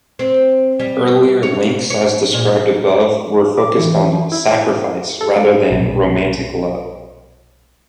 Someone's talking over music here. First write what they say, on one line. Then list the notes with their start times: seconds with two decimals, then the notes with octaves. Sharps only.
Earlier links as described above were focused on "sacrifice" rather than romantic love.
0.19 C4
0.79 G3
1.43 C#5
1.90 C#5
2.33 A#2
3.57 D6
3.79 E3
4.32 E4
5.21 A4
5.36 G#3
5.71 B1 A#2 G3